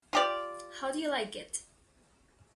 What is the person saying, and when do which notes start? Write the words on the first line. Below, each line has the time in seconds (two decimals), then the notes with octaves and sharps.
How do you like it?
0.13 F4 G4 D5